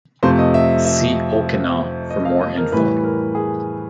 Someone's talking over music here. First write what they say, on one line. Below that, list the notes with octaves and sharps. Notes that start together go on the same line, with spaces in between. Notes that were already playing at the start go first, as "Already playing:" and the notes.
See 'okina for more info.
F2 C3 F3 A3 C5
D#5
E5
E5
D#5
F5
D#5
A#4
A2 E3 G3 B4
A#4
G#4